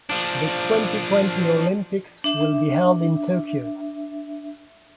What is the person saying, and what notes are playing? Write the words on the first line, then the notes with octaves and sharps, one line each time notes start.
The twenty-twenty Olympics will be held in Tokyo.
F3 D4
D4 E5